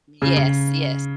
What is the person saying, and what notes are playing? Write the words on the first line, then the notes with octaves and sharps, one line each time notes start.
Yes, yes.
C#3
C#3